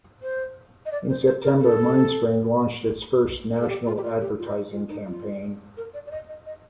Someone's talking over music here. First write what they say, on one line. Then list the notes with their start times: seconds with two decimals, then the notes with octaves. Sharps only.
In September MindSpring launched its first national advertising campaign.
0.22 C5
0.86 D#5
0.92 D5
1.09 C5
1.26 C5
1.44 A#4
1.61 A4
3.53 A#4
3.61 A4
3.69 G4
3.86 F4
3.97 G4
4.04 F4
4.21 G4
4.38 F4
4.73 F4
4.90 D#4
5.07 F4
5.77 A#4
5.94 D5
6.07 D5
6.11 D#5
6.29 D#5
6.46 D#5